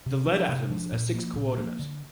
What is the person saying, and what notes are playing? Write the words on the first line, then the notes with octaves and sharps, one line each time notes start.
The lead atoms are six-coordinate.
C3
F3 D4
C3
F3 D4
A#2
F3 A#3
A#2
F3 A#3
D3